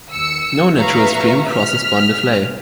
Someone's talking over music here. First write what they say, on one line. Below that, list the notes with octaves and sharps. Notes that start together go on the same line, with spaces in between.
No natural stream crosses Bondoufle.
D#2 E6 C#7
B4 E5 F5 A#5 C#6
F6 B6